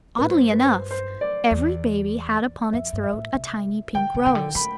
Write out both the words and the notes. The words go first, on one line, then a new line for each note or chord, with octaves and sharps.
Oddly enough, every baby had upon its throat a tiny pink rose.
A2 B4
G2 C5
B4
C5
C5
D5
E2
F2 E5
G2
E5
A2
C3
D3 G5
C3
C3 G5
D3
A3 B5